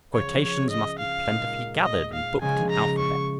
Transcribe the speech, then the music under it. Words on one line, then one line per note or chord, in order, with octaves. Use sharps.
Quotations must be plentifully gathered and booked in alphabet.
C#2 C#3 F3 C#5
C#5
D#5
F5
A#2 G#3 D#4
D#5
F5
C#3 F3 G#3 C#4 G#5
A#5
C#6